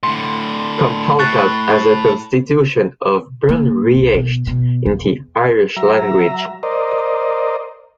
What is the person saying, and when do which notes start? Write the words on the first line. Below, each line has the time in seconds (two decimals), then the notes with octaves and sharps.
Comhaltas has a constitution or "Bunreacht" in the Irish language.
0.03 A2 D3 C6
1.19 A2 C#6 F#6 A6
3.49 A#3
3.94 C2
4.14 B2
4.47 B2
4.86 E2
5.76 F#3 E5 A#5
6.63 A#4 C5 D5 D#5